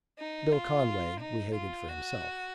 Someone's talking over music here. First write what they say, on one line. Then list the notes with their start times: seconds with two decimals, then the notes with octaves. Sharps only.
Bill Conway we hated for himself.
0.19 D#4
0.53 F4
1.21 D#4
1.55 F4
1.88 F#4